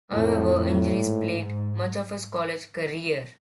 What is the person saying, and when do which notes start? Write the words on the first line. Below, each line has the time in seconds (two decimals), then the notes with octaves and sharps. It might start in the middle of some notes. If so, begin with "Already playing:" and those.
However, injuries plagued much of his college career.
0.13 F2 A2
0.55 A2
0.98 G#2